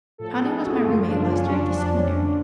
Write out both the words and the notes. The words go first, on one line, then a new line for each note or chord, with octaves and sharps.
Connie was my roommate last year at the Seminary.
A2 F3 A4
G#4
F#4
F#2 C#3 F3 F4
D4
C#4
C#4
F2 F3 D4
D4
C#4
D3 F3 D4